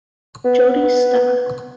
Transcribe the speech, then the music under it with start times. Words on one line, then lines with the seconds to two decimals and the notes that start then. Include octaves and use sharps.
Jodi Sta.
0.45 B3